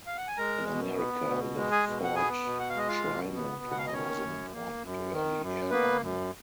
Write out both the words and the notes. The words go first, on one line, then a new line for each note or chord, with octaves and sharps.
In America, the Ford Trimotor was an important early airliner.
F5
F#5
G#5
G#3 A#4 A#5
B2
B3
B2
G#3
G#4 G#5
B2
F#5
B3 G#4 G#5
B2
F#5
F5
G#3 D#5
F4 F5
B2
B3
B2
F#5
F5
D#5
D#3 C#4 C#5
F#2
A#3
F#2
D#3
F#2
A#3 B3 B4
F#2